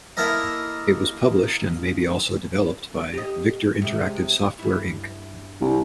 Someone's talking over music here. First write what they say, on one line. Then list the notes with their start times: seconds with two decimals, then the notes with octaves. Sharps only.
It was published and maybe also developed by "Victor Interactive Software Inc.".
0.17 A#3 E4 A4 A#4 D#5
3.13 G4 D#5
3.82 C3 G#3
4.59 G2 E4
5.61 C2